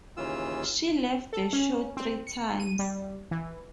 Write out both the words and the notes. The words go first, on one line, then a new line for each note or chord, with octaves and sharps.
She left the show three times.
D#2 C#3 E3 F4 E6
A4
C#4
C4
C#7
D#7
G3
E3